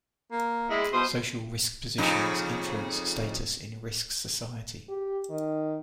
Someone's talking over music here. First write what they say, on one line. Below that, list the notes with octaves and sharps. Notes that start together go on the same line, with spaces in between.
Social risk positions influence status in risk society.
A#3
G#3 E4
B2 C5 C6 D#6
F2 C#3 D#4
G4
D#3